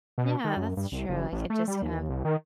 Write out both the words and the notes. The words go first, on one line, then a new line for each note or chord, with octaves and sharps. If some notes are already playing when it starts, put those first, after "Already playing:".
Yeah, that's true, I could just kind of
B2
D#3
F#2
G2
C2
F#1
A1
A3
G3
D#2
C2
D#3